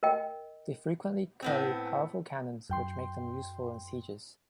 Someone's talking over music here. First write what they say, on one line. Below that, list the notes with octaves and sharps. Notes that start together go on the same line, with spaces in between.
They frequently carry powerful cannons which make them useful in sieges.
A#4 D#5 G5
A2 B3 C4
F#2 G5 C6